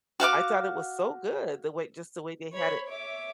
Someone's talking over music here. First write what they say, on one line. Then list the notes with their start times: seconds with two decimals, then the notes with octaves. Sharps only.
I thought it was so good, the way just the way they had it
0.20 F#4 F5 F#5 D6
2.53 C5 C#5 B5
2.90 C#5 E5 D6